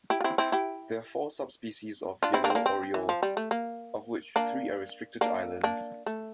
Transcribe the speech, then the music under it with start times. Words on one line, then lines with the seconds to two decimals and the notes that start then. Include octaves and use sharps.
There are four subspecies of yellow oriole, of which three are restricted to islands.
0.10 E4 G4
0.20 F4
0.24 C4 E4
0.38 C4 E4
0.52 E4 G4
2.23 D4 F4
2.34 C4 E4
2.44 A#3 D4
2.50 C4
2.55 A#3 D4
2.66 C4
2.94 E3
3.09 F3
3.23 G3
3.37 A3
3.51 A#3
4.36 A#3 D4
5.21 A#3 D4
5.63 A#3 D4
6.06 A3